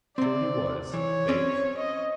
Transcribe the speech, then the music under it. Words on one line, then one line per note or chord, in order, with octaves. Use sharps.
So he was, faith.
C3 C4 D5
E3 C#5
C4 C#4 D5
D#5